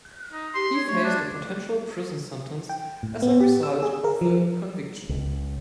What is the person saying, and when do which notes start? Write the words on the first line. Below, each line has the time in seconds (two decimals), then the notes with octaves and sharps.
He faced a potential prison sentence as a result of the conviction.
0.33 D#4
0.54 G4 C6
0.71 C#5
0.89 A3 C#5
1.05 D4
2.69 G5
3.03 A2
3.22 B3
3.40 G4
3.63 E6
3.83 G#4
4.04 A#4
4.21 F3
5.09 C#2